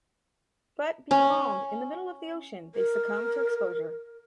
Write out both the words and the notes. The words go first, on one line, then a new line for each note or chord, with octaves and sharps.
But becalmed in the middle of the ocean, they succumb to exposure.
C#4
A#4